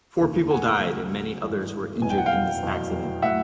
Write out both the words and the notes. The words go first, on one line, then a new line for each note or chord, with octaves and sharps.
Four people died and many others were injured in this accident.
F1 D#2 C#3 E3
F#5 G#5
D2 C#3 F#3
G#1 G2 E3
F1 E2 B2 F#3 G#5
G5
F#5
F5 G5
F1 E2 B2 F#3
A2 F#3 E5 F#5